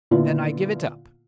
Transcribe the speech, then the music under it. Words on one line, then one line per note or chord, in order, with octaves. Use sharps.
"Then I give it up."
A#2 D3 B3 E4 F4